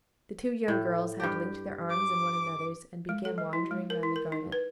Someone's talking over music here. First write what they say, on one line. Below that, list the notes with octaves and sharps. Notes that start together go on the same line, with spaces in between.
The two young girls had linked their arms in one another's and began wandering round the garden.
A2
G2 G4
D6
G#3
A4
F#3
E4
G#3
A#4
E4
A#4
D#4
B4